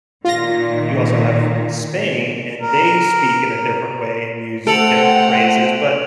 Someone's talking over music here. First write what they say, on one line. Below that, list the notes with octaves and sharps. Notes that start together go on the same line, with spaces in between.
you also have Spain, and they speak in a different way and use different phrases. But,
A#2 D#3 F4 A#6
A#4
A3 A4 C5 F#5 G5 D7 F7 F#7